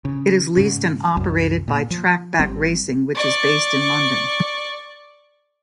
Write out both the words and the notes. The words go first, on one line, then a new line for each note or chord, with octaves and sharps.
It is leased and operated by Trakbak Racing which is based in London.
C#3
G#2 C#3
C2 F#2
A#2
F3
G#1 G3 C4
D5 C#6